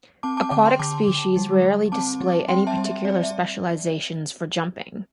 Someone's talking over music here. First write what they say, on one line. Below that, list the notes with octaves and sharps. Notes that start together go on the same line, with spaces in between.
Aquatic species rarely display any particular specializations for jumping.
C4 A5 D6
A5 D6
D3 A5 D6
G5 C6
D3 A5 D6
D3
G3
G3
C4 A5 D6
G3
C4 G5 C6
E5 A5
G3
E5
C4 D5
E5